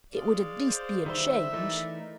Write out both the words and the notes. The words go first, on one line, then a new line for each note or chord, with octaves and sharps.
It would at least be a change.
G#3 D5 F5
C5
D#3 G3 C5 E5
E3 A3 D#4 A#4 D5